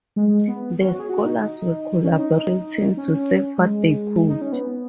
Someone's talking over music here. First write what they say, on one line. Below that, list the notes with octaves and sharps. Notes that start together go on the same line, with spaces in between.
The scholars were collaborating to save what they could.
G#3
B3
C#4
F#4
G#4
F#4
D#4
C#4
D#4
C#4
G#3
D#4
C#4
B3